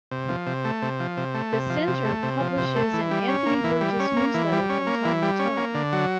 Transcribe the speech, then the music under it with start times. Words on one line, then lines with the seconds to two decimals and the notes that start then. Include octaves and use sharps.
The Center publishes an "Anthony Burgess Newsletter" from time to time.
0.11 C3
0.28 F3
0.46 C3
0.65 A3
0.82 C3
1.00 F3
1.17 C3
1.34 A3
1.53 C3
1.70 F3
1.87 C3
2.05 A3
2.23 C3
2.40 F3
2.58 C3
2.76 A3
2.93 E3
3.11 G3
3.28 C#4
3.46 A#3
3.64 E3
3.81 G3
4.00 C#4
4.17 A#3
4.34 E3
4.52 G3
4.69 C#4
4.87 A#3
5.05 E3
5.22 G3
5.39 C#4
5.57 A#3
5.74 D3
5.93 F#3